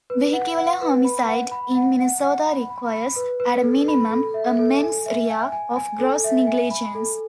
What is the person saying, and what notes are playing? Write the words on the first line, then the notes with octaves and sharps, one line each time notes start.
Vehicular homicide in Minnesota requires, at a minimum, a "mens rea" of gross negligence.
B4
F#5
F#5
B4
B5
F#5
B5
F#5
F#5
F#5
B5
B5
B5
B4
B4
A4
B5
A4
E5
A4
G#5
E5
G#5
G#5
G#5
A4
E5
G#5
B5
A4